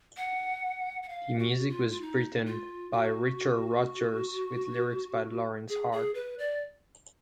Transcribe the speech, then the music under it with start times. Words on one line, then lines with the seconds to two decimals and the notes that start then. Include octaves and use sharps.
The music was written by Richard Rodgers, with lyrics by Lorenz Hart.
0.17 F#5
1.03 F#5
1.09 F5
1.39 F#4
1.69 F4
1.90 F4
2.01 D#4
2.46 F4
2.92 F#4
5.69 G#4
5.92 G#4
6.15 B4
6.39 D5